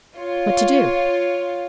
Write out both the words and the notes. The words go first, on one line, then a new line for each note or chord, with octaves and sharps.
"What to do?"
F4 C#5